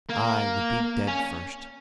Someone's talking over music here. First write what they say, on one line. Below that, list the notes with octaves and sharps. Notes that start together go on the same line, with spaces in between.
I would be dead first!
A#3
C#4